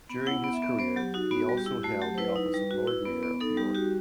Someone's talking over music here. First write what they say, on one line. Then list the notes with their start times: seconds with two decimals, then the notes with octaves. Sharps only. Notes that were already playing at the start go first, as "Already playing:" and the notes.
During his career he also held the office of Lord Mayor of York.
0.09 B3
0.26 E4 F#5
0.44 B3
0.53 E5
0.62 B3
0.79 B3 C5
0.96 F#3 G4
1.14 D#4 F#4
1.31 B3 F#4
1.49 G3
1.58 G4
1.66 E4
1.83 A3 F#4
2.02 F#3 G4
2.14 C5
2.18 E4 B4
2.36 D#4
2.54 G3
2.71 F#4
2.87 E4
3.06 B3
3.23 B3
3.40 D#4 A4
3.57 G3 G4
3.75 F#4 G4